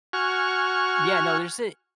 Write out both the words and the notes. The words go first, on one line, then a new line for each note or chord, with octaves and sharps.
Yeah, no, there's a
F#4 G#5 C#6 F6